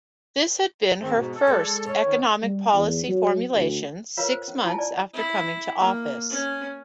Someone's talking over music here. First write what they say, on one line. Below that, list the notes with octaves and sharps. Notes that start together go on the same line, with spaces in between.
This had been her first economic policy formulation, six months after coming to office.
G#2 D#3 C4
G#2 B2
A4
G#3 C5 D5
C#4 C#5
D#3
G3
E2
F#3
D2
F4 A#4 B4 C#5 F5
C5
C#4
E4 F4 G#5 A5
D5
E4
A#3
C#4